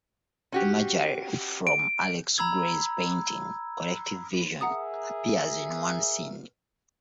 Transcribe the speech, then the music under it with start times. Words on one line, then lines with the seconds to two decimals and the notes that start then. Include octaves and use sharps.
Imagery from Alex Grey's painting "Collective Vision" appears in one scene.
0.52 C#4 F#4 G4
1.67 D7
2.38 A#5 B5 E6 G#6
4.61 G#4 A#4 E5 F#5 A#5 D#6